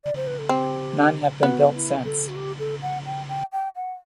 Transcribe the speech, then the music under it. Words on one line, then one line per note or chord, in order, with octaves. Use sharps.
None have been built since.
D5
C5
B4
A4
C4 G4
B3 F#4
E4
A4
F#4
G4
A4
F#5
G5
G5
G5
F#5